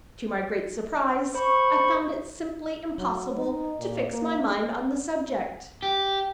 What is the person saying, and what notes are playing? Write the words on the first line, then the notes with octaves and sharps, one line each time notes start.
To my great surprise, I found it simply impossible to fix my mind on the subject.
C5 B5 C#6
F#3
D#4
A#2
A#3
G4